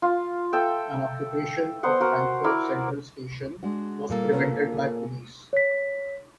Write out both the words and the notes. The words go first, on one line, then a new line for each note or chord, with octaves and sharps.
An occupation of Frankfurt Central Station was prevented by police.
F4
A4 E5 G5
B3 C5 F#5
F#4 A#4
E4 A#4 D5
G#3 D4 F#4
A#2 G3 A#3 A4
B3 C#4 A#4
G#4
G#4
C#5 B6